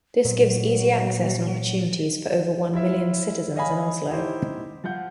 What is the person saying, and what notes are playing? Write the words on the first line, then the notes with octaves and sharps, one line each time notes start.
This gives easy access and opportunities for over one million citizens in Oslo.
A#2 F#3
E4 F4 E5
C#5 D#5 F5 G#5 B5
D#4 E4 G4 C5
F3 F4 F#5 G6